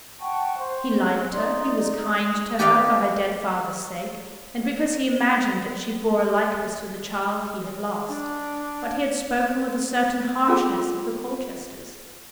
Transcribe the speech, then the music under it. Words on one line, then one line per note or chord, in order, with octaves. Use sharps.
He liked her; he was kind to her for her dead father's sake and because he imagined that she bore a likeness to the child he had lost; but he had spoken with a certain harshness of the Colchesters.
F#5 G5 A5 C#6
C5
C#4
D#4 D5 C6
D#6
G4 B4 D5 D#5 F5 G5
D4
C#4 F4 G#4 A4 F#5 D6